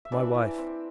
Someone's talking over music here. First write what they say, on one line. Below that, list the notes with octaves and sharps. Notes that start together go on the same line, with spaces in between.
"My wife!"
E5
E3 D4 D5
E3
C4